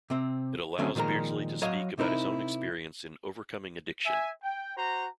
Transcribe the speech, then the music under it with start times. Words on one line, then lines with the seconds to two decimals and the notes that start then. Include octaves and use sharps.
It allows Beardsley to speak about his own experience in overcoming addiction.
0.10 C3 C4
0.78 D3 F#3 A3 C4 C#4
0.95 A#2 D#3 F3 G#3 A#4 A#5
1.62 F#3 C#5 D#5 F5
1.98 C3 C4 D#4 E4 A#4
4.05 E5 G#5
4.43 G5
4.77 F#4 C5 A#5